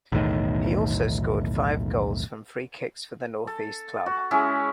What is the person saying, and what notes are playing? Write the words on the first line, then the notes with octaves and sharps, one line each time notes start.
He also scored five goals from free-kicks for the north-east club.
B1 E2 A2 D#3
A4
F#4
G#3 C#4 E4 G#4